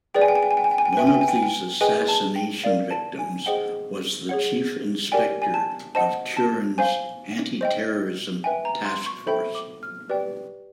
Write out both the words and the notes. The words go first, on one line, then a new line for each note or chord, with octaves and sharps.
One of these assassination victims was the Chief Inspector of Turin's anti-terrorism task force.
G#4 B4 D5 G5
G#5
G5
G#5
G5
G#5
G5
G#5
G5
G#5
G5
G#5
B4 E5 G5
G#5
G5
G#5
G5
G#5
G5
G#4 B4 D#5 G5 G#5
A5
G5
A#4 D5 F5
A5
G#5
G#4 C5 D#5 F#5 G5
G#4 C#5 F#5
G4 A#4 D5 G5 G#5
G#5
A5
C5 D#5 F#5 A5
A5
C5 F5 G#5
C5 D#5 G5
B4 E5 G5 G#5
A#5
C6
C#6
A4 C5 E5 G5 B5
D6
F6
G4 B4 D5 G5